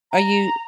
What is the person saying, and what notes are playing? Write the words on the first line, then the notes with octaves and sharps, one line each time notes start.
Are you
A#5